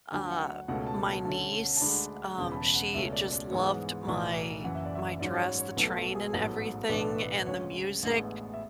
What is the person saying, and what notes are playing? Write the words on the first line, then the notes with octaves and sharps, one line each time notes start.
uh, my niece, um, she just loved my my dress, the train and everything, and the music,
D2 D3 F#3 G#5
F#5
C#2 B2 A3 C#4 F#5
A5
A5
D2 D3 A3 C#4 A5
A5
D2 D3 G#3 D4 B5
E1 E2 C#3
B5
A5
F#5
C#2 B2 A3 C#4 E5
D5
D5
G#2 E3 G#3 B3 C#5
B1 A2 E3 B3 D5
F#1 F#2 E3 F#5
E5
D5
E5
G#2 F#3 C#4 D5
C#5
C#5
B1 B2 F#3 A3 B4
A4
G#4
A1 G#2 F#3 B3 A4
B1 A2 E3 B3 D4 B4
A4
B4
D2 C#3 G#3 C#5
A1 A2 G#3 B3 D4
E5